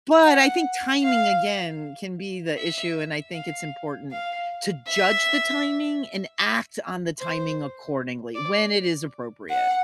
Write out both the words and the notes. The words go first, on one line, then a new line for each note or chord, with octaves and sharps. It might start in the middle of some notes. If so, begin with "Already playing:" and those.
But I think timing, again, can be the issue, and I think it's important to judge the timing and act on the timing accordingly, when it is appropriate.
F#5
F5
E5
F5
F5
E5
C5
D5
F#5